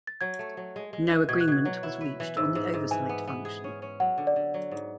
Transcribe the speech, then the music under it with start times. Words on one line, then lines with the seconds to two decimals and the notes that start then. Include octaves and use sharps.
No agreement was reached on the oversight function.
0.07 A6
0.21 F#3 G#6
0.39 A3
0.57 F#3
0.76 G#3
0.93 G#3
1.11 E3
1.29 B2 G#6
1.41 F#6
1.48 B2 G#6
1.65 F#3
1.83 E4
2.01 B4
2.20 E3
2.37 G#2 E6
2.55 G#2
2.74 G#2
2.91 E3 G#5
3.09 B3
3.27 B3
3.45 G#4
3.64 C#4
3.82 C#4
4.00 F#3 F#5
4.18 D3
4.27 D5
4.36 D3
4.54 F#3
4.71 G#2